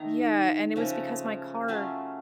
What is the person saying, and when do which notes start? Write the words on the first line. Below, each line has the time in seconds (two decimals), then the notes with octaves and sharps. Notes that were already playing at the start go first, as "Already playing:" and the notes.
Yeah, and it was because my car
Already playing: D#3 A3 D#4 A#5
0.76 C#3 F3 A3
1.68 F#3 A3 C#4 F4 A5